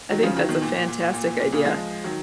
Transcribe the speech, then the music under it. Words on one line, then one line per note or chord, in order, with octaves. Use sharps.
I think that's a fantastic idea.
D#3 F#3
C#3 F3
D#3 F#3
B2 D#3
A#2
A#2
A#2
A#2
A#2
A#2
A#2
A#2 C#3
F3 G#3
D#3 F#3